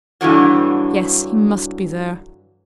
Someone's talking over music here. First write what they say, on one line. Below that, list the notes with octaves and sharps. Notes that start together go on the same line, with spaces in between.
Yes, he must be there.
G2 D3 E3 F#3